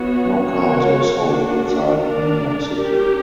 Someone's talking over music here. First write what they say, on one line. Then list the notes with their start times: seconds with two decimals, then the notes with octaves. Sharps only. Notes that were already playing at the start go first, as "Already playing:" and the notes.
No cars were sold outside New York City.
Already playing: E3 B3 F#4 C#5
0.46 B3 F#4 A#4 C#5
1.22 A#3 D4 F#4
1.99 D4 A#4 D5
2.75 C#4 G4 A#4